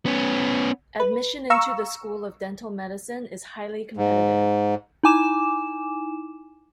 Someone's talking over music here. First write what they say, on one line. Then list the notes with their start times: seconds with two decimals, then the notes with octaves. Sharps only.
Admission into the School of Dental Medicine is highly competitive.
0.06 B3 C#4
1.00 B4
1.50 F5 A#5 C#6 E6
3.97 G#2
5.03 D#4 E4 G#5 D6 E7